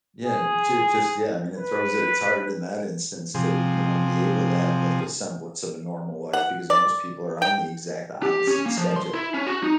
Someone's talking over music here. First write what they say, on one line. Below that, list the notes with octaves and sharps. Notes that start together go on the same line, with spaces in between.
yeah, j just, yeah, I mean, it throws it it's hard in that instance to, you know, be able to have, like, a semblance of a normal life because most people are on the exact opposite schedule,
G#4
B4
C3 F3 G#4
F#5
D5
G5
G4
C#4
A#3
F3
C6
E4
C#4
F#4
D#4